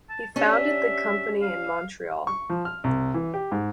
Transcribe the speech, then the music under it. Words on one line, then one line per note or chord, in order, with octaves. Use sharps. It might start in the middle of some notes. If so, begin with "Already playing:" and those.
He founded the company in Montreal.
A5
C#4 D4 G4 A4
E5
F5
C#6
F3
F6
C2
E3
G4
G#2